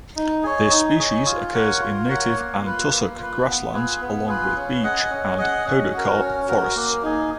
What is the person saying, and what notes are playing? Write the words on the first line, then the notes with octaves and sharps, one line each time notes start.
This species occurs in native and tussock grasslands along with beech and podocarp forests.
D#4
G#4 C#5
D#4
G#4 C#5
F4
A#4 C#5 F#5
F4
A#4 C#5 F#5
A#3
F4 B4
A#3
F4 B4
B3
F4 G#4 B4
B3
F4 G#4 B4
C#4
G#4 D#5 F#5
C#4
G#4 D#5 F#5
C#4
F#4 A#4
C#4
F#4 A#4
A#3
D#4 G#4